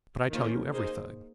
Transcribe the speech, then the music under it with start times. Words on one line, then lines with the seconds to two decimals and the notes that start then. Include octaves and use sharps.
"But I tell you everything."
0.30 D#3 A#3 C#4 F4 C5
0.71 A#3 D#4 G#4 C5